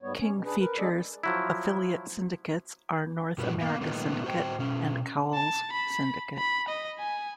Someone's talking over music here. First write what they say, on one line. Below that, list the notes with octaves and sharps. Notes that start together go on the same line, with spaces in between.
King Features' affiliate syndicates are "North America Syndicate" and "Cowles Syndicate".
G#2 G3 B3 C#5
C#4
B2
D4 G#4 B4
A#4 B4
G#3 D4 G#4 A4 D5
F3 F#3 E4
G2 A#2 F#4 B4
A#3 B3 F5
A#2 D#3 A3 B3 D#4
F#4 C5 G5
B2 C#4
A5
B5
B5
D#5
G#5